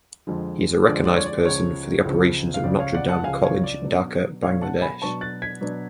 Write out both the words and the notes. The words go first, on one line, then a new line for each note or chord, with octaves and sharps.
He is a recognized person for the operations of Notre Dame College, Dhaka, Bangladesh.
F2 D3 F3 G#3
F2 D3 F3 G#3 D5
D5
C#5
D5
C#2 C#3 F3 C#5
C#2 C#3 F3
F5
C#2 C#3 F3 D5
C#5 F5
D5 F#5
F#5 A5
C#2 C#3 F3 F5 G#5
C#5 F5
D5
B2 F#3 B3 D4
B2 F#3 B3 D4 C#5 F5
F#5 A5
G#5 B5
B2 F#3 B3 D4 A5 C#6
F#6 A6
G#6 B6
B2 F#3 B3 D4